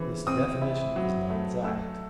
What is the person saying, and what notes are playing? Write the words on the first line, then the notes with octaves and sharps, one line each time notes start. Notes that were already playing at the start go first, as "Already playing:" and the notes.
'This definition is not exact.
Already playing: C#3 E3 C4
C4 D#6
E4
F#3
A3
A3 E6